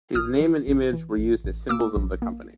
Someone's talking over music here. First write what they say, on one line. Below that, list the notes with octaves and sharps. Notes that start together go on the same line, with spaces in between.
His name and image were used as symbols of the company.
A1 D#6 F6
E3
A1
E3
A1
A1
A#3 D6 E6
A#1
A#3